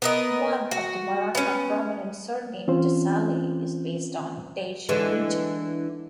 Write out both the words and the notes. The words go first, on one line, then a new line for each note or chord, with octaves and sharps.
One of the Maratha prominent surname 'Desale' is based on 'Desh' region.
B3 A#4 D#5
F#4
B3 C#4
E3 C4 C#4 F4 C5
D3 E3 G#3